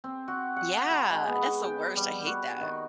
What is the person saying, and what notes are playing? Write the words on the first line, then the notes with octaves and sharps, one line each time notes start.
Yeah. That's the worst, I hate that.
C4
F#4
F#5
B5
G#3
B3
G5
G3
F#4
D#3